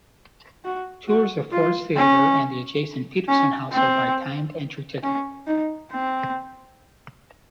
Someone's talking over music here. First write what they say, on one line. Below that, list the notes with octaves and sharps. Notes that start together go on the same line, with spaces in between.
Tours of Ford's Theatre and the adjacent Petersen House are by timed-entry ticket.
F#4
F#4
F4
C#4
C#4
C4
C#4
D#4
C4